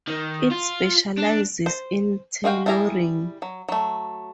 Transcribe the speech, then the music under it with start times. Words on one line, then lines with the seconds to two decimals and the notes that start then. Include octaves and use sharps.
It specialises in tailoring.
0.08 D#3
0.52 F4
1.18 D4
1.66 C5
2.44 G#3 F#4 F5 G5
2.66 G3 D4 E4 G#4 A#5
3.42 F#3
3.68 F#3 A3